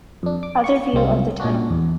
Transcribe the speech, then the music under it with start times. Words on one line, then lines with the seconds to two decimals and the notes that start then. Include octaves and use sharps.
Other view of the tunnel.
0.23 F2 D4
0.43 D6
0.64 C#6
0.93 C2 F#3 G#3 C4 F4
1.40 A#2 C#4 D4 F#4
1.70 E2